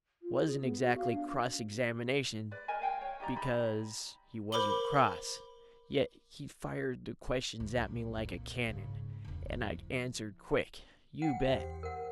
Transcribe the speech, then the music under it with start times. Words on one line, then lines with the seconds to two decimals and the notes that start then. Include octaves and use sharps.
It wasn't exactly cross-examination, because he wasn't cross, yet he fired the questions at me like a cannon, and I answered quick, you bet.
0.22 F4
0.45 G#4
0.62 B3
0.81 F#4
0.97 F5
1.12 D4
2.51 B4 D5
2.68 A#4 D#5 G#5 A5
2.82 F5 G5 G#5
3.01 C#5
3.20 D#4 G4 D5 A#5
3.36 D#4 B5
4.52 A#4 C5 B5 D6 F#7 G7
7.60 D2
7.78 B1
8.15 F2 A#2
8.67 G#2 C#3
9.25 E1 C#2
9.52 F3 E4
11.22 F#5 G5
11.46 E2 G4 C5
11.83 A#4 F#5